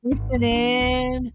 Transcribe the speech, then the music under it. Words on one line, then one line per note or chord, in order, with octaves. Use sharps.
listen in?
G#1
G2
E3 D4
D1 C#2